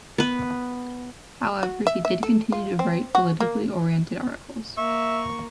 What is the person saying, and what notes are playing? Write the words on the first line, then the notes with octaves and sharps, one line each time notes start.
However, he did continue to write politically oriented articles.
B3 B4
F#4
E5
E5
A4
F4
C4
F#4
A#3
A#3 E5 C#6